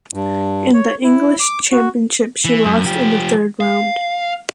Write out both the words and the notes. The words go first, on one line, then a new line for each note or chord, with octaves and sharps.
In the English championship she lost in the third round.
G2
C#5
E4
D6
F#4
E3
F#2
F3 G4
F5